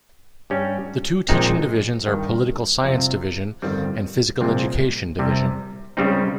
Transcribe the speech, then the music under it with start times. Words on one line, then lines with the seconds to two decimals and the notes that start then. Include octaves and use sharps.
The two teaching divisions are Political Science Division and Physical Education Division.
0.50 G2 G3 C#4
1.29 A#1 A#2 G#3 C4 D#4
2.07 G2 D#3 G3
2.84 F2 C3 G3
3.62 G1 F2 D#3 G3 C4
4.41 C2 A#2 F3 G#3 C4
5.19 C2 C3 G3
5.97 C#2 C#3 G3 C4 D#4